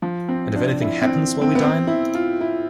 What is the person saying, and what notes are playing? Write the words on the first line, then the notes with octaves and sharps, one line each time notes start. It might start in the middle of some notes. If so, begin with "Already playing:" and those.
And if anything happens while we dine?
F3
C4
D4
E4
C4
C4
B3
C4
E4
F4
E4